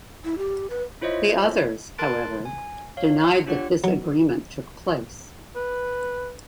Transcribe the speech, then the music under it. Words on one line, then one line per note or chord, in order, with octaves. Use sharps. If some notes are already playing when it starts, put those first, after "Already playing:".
The others, however, denied that this agreement took place.
E4
G4
B4
E4 F4 C5 C#5 D#5 E5
A#4 A5 C6 F#6 A6 D7
G#5
C#5 F5
D4 F4 G4 C#5 F#5
F#3
B4